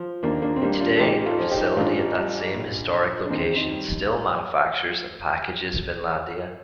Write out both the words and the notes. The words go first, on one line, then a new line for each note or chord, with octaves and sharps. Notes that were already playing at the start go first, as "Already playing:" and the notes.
Today, a facility at that same historic location still manufactures and packages Finlandia.
Already playing: F3
D#2 A#3 D4
A#3 D4
C4
G3 A#3 D4
D4 F4
A4
A1 D#4 G4
F4 A4
F3
D#4 G4
A1 D4 F4
G3
A#1
F3
D4
D#2 C4 D#4
C4 D#4
G3